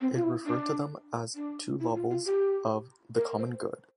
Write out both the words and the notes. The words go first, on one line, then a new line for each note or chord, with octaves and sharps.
It referred to them as "two levels" of the common good.
C4
F4
E4
D4
D4
E4
F4
F4
G4
A#4
C5